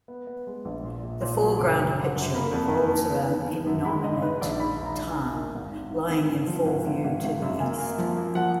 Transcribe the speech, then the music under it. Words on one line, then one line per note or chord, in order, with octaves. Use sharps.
The foreground picture revolves around Innominate Tarn, lying in full view to the east.
B3
B3
G#3
A#1
A#2
A#2
A#2
F#3
F#1 D6
F#2
D3
F#2
A#3 B5
F2
A#3
D#3
B3
D#3
D#3
F#2
G#3 B5
G#2 D#5
D#3 B4
A#1 D5
D#3 B5
D#2
A#5
D4
G#5
D#2
D#3 A#4
G#1
D#3
D#3
G#1 A#4
G#1
F3
G#1
G#1
G#1
G#1
F#2
A#3 G#5
A#3
F3
A#3
F3 F#5